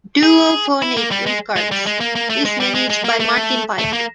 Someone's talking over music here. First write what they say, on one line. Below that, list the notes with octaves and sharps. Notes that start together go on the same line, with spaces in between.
Duophonic Records is managed by Martin Pike.
G#4
E4
A#3
G3
G#3
G#3
G3
G#3
A#3
A#3
A3
G#3
G3
G#3
G#3
A#3
A3
A3
A#3